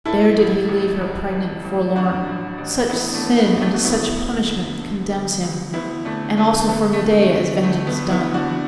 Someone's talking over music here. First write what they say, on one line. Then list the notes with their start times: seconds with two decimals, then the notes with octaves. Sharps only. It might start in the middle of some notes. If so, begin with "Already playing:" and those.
There did he leave her pregnant and forlorn; Such sin unto such punishment condemns him, And also for Medea is vengeance done.
0.05 A2 E4 A4
0.38 A1
0.69 A1
1.01 A1
1.32 A1
1.64 A1
1.95 A1 D4 F#4
2.27 A2
2.58 A1
2.89 A1 B3 E4
3.13 A3 D4
3.22 A2
3.38 B3
3.54 A1
3.61 A3 D4
3.74 F#4
3.84 D2 B3 E4
4.17 D2
4.48 D3
4.80 D3
5.11 D2
5.43 D2
5.73 D2 B3 E4
6.05 D2 A3 D4
6.37 D3 A3 D4
6.68 D3 B3
6.93 A3
7.00 D3
7.32 D3
7.63 D2 A3
7.87 B3
7.95 D3
8.10 B3 E4
8.26 D2
8.34 D4 F#4